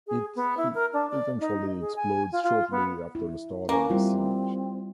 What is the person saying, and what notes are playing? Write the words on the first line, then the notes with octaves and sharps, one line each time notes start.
It/He eventually explodes shortly after the start of the siege.
G#4
B3
E4
A#4
D4
D5
D#4
G#4
G#5
F4
F4
B3
E4
A#3 C#4 B4
G3 C4 E4 F4